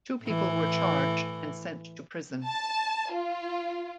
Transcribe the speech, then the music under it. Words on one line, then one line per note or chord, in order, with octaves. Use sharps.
Two people were charged and sent to prison.
A2 E3
A5
F4